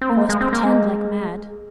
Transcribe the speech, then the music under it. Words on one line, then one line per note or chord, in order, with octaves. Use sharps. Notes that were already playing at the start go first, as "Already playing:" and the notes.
We must pretend like mad.
C4
A#3
G#3
G#3
C4
A#3
G#3